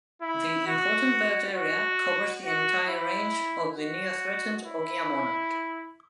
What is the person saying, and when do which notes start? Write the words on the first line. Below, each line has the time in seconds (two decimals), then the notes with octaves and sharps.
The Important Bird Area covers the entire range of the near threatened Ogea Monarch.
0.21 E4
0.66 F#4
1.55 F#4
2.44 F#4
2.88 E4
3.77 F#4
4.64 E4